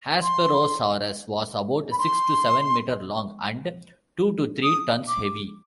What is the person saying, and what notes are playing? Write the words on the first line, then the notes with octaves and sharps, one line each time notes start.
"Hesperosaurus" was about six to seven metres long and two to three tonnes heavy.
C6
B5
C6
D#6
D6